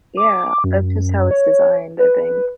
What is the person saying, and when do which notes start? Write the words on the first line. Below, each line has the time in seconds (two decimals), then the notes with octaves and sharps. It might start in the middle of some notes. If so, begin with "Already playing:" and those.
Yeah, that's just how it's designed, I think.
0.17 D6
0.64 F#2
1.31 C#5
1.99 B4